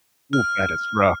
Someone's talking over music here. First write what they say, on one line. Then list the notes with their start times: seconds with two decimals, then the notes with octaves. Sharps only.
Ooh, that is rough.
0.33 F6